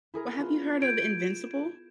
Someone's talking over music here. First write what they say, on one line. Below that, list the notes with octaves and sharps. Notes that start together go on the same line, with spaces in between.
Well, have you heard of Invincible?
E4 G#4 A#4
B3 F4
G6 G#6 D7
E7